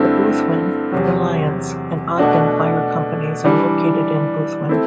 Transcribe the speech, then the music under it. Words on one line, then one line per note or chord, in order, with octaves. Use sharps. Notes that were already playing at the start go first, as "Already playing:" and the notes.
The Boothwyn, Reliance, and Ogden fire companies are located in Boothwyn.
Already playing: G2 D3 A3 C4 E4
E2 C3 F#3
B2 A3 D4 F#4
E3 G3 D4
A3 C4 E4